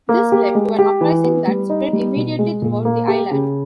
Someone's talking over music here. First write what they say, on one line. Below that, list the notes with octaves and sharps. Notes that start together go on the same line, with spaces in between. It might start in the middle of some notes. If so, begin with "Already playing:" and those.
This led to an uprising that spread immediately throughout the island.
A#3
G4
G#3
G4
E3
B3
G3
D#4
G3
B2
G#3
A#2
A#3
G4
C#3